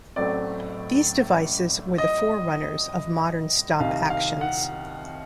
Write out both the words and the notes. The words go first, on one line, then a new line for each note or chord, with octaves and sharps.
These devices were the forerunners of modern stop actions.
A1 A2 F#3 A3 C4 D5
D#5
C2 C3 D#3 F5
F5
F#5